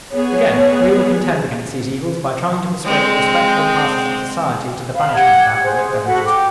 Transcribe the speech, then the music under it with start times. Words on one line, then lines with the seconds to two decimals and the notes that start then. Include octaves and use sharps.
Again: we will contend against these evils by trying to persuade the respectable classes of society to the banishment of alcoholic beverages.
0.11 B3 G#4 C#5
2.85 G#3 C4
4.94 F5 B5
5.14 G4 F#5 G#6
5.63 G#4 C5
6.06 F#4 A4 F#5 B5
6.25 G5 D6